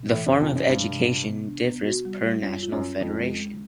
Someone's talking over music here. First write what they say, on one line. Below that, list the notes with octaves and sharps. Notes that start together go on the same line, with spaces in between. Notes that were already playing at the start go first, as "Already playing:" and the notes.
The form of education differs per national federation.
Already playing: B2
A2 E3
F#2
C3
F2
F#2 C3
G2 G#3
C3
C3
B3
D4
B3
F#4
G3
G3
F#2 F4
F4
F#2
C#4
F2 G#3
G#3
G#3